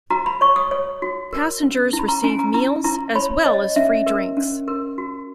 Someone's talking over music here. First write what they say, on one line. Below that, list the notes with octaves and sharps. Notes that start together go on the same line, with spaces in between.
Passengers receive meals, as well as free drinks.
F#4 A#5
B5
C#5 C#6
D#6
C#5
F#4
A#4
C#4
E4
B5
A#5
C#4 G#5
A#5
E4 A#5
E4 A#5
C#5 B5
C#5 D#5
C#4 E5
A#4
C#4
A#4
F#4